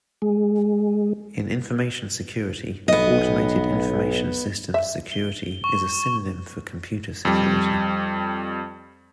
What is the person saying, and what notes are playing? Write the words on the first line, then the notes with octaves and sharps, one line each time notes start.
In information security, automated information systems security is a synonym for computer security.
G#3
B1 B3 D#5
E5
G7
C#6
F2 G3